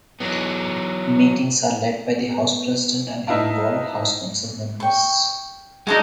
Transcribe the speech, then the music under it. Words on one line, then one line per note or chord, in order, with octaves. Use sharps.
Meetings are led by the House President and involve House Council members.
E3 F#3 B3
B3
D#4 E4 B4 F5 A5
G5 C#6
G#3 D#4 F#4 A4 D5